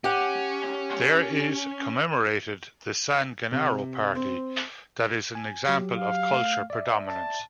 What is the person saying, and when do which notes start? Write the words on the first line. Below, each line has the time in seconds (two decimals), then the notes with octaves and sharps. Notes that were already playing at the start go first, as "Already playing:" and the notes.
There is commemorated the "San Gennaro Party" that is an example of culture predominance.
0.04 C#4 G4 F#5
3.52 C3
4.15 C4
5.35 G#5
5.67 F#3 G4
5.97 F5
6.31 A3
6.70 D5 E5
7.07 A5